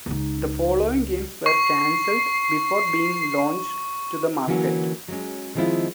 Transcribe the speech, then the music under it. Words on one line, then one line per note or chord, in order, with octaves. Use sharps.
The following games were cancelled before being launched to the market.
C#2 D#4
C#6 C7
D3 E3 F#3 A#3 C#4 F#4
F#3 G#3 C#4
D#3 F3 G#3 C4 E4 F4